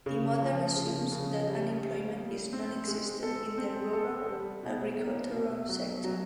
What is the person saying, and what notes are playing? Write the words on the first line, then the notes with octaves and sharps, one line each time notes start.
The model assumes that unemployment is non-existent in the rural agricultural sector.
C#3
F3
C#3
C#3
G3
G3
G3
C4
G#3
A4
C4
A4
G3
B2
A#3
B2
F#3
F#3